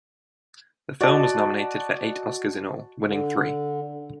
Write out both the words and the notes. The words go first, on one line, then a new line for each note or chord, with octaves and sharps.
The film was nominated for eight Oscars in all, winning three.
F#4 D5 D#5 A5
D3